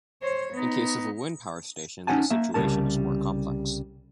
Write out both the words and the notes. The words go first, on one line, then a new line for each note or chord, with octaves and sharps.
In the case of a wind power station, the situation is more complex.
C5 C#5
B3 D#4
C#4 D#4 F4 F#5 G#5 A5
A#3 E5
C2 C#3 G3 C#4 A#4 A5